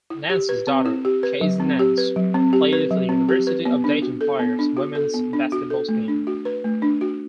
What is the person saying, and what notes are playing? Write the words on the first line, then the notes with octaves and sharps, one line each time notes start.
Nance's daughter, Casey Nance, played for the University of Dayton Flyers women's basketball team.
E4
G4
B4
C4
E4
G4
B4
F#3
C4
G4
B4
F#3
C4
G4
B4
F#3
C4
G4
B4
B3
D4
F#4
A4
B3
D4
F#4
A4
B3
D4
F#4
A4
A3
D4
F#4
B4
A3
D4
F#4